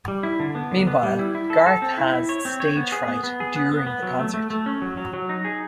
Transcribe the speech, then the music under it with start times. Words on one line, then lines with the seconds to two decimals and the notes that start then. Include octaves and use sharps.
Meanwhile, Garth has stage fright during the concert.
0.08 G3
0.23 E4
0.40 D3
0.55 B3
0.71 D3
0.87 B3
1.03 G3
1.19 E4
1.35 E4
1.50 A4
1.66 A4
1.82 C4
1.98 E4
2.13 E4
2.29 C#5
2.45 C4
2.60 C#5
2.77 B3
2.92 G#4
3.08 B3
3.24 B3
3.40 G#4
3.56 B3
3.72 B3
3.87 B3
4.03 F#3
4.19 A3
4.34 A3
4.50 A3
4.66 C#4
4.82 F#3
4.97 F#3
5.14 F#3
5.29 D#4
5.45 G#4